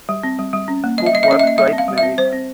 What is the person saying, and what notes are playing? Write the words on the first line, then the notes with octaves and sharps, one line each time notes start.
Cook was twice married.
G3
C4
G3
G3
C#4
A#3
G3 D#5
E5
G3 D#5
E5
C#4 D#5
E5
A#3 D#5
G3 E5
C4
F5
G3
E5
C4
G3 C5
C4